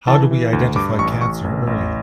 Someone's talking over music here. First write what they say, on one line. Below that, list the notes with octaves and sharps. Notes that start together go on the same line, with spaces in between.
How do we identify cancer early?
E3 A5
E3
D2
G2 D6
A1 C#6
A1 C#6
A1
A1